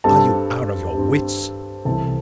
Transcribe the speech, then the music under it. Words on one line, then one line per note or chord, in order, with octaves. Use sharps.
Are you out of your wits?
G2 G3 C4 A4 A5
G2 G3 C4
C2 C3 E3 C4 A4 A5